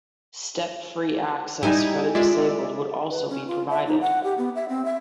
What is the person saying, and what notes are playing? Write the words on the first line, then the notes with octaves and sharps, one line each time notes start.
Step-free access for the disabled would also be provided.
G3 D#4 E4 G4 D#5 G#5
G#3 F4 D5 E5
B4
C#4
F4
E5
D#4
F#5
G4
B3
E5
C4
E5